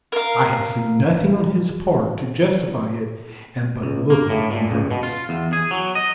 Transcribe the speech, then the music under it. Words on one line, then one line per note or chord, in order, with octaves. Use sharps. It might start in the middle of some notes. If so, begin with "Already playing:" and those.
I had seen nothing on his part to justify it and but little on hers.
A#4 F5
C#2
A#3
A2
A#2
C#2
B2
F4
E2
G#4
F#3
D#5